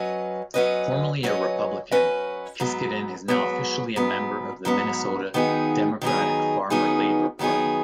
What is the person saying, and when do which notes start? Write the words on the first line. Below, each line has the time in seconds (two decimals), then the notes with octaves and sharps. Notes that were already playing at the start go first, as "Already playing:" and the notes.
Formerly a Republican, Kiscaden is now officially a member of the Minnesota Democratic-Farmer-Labor Party.
Already playing: F#3 C#4 B4 D#5
0.54 F#3 C#4 B4 D#5
1.23 F#3 C#4 B4 D#5
1.91 F#3 C#4 B4 D#5
2.60 G#2 F#3 B3
3.28 G#2 F#3 B3
3.96 G#2 F#3 B3
4.65 G#2 F#3 B3
5.34 D#3 F#3 B3 D#4 G#4
6.01 D#3 F#3 B3 D#4 G#4
6.70 D#3 F#3 B3 D#4 G#4
7.39 D#3 F#3 B3 D#4 G#4